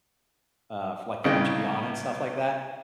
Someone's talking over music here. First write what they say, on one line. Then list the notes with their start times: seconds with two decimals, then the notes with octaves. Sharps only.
uh, like, French goan and stuff like that.
1.24 C2 C#3 D#5 G5